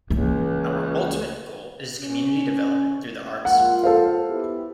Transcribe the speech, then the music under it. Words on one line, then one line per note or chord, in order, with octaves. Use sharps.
Our ultimate goal is community development through the arts.
C#2 E3 A#3
C#4
G#3 A#3 F4 F#5
A4 C5 F5
B3 E4 G4